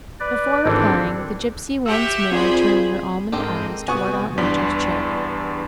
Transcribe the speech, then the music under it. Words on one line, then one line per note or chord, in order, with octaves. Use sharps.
Before replying, the gipsy once more turned her almond eyes towards Aunt Rachel's chair.
B4 D5
G#1 E3 C4 D4 A4
F#4 G4 E5 E6
C4 F4 G#4 C5 D5 B5
G#2 C4 G4 A4 A#4 D#5
C3 B3 F#4 G#5 C#6 D#6
E2 G2 D5 C6 B6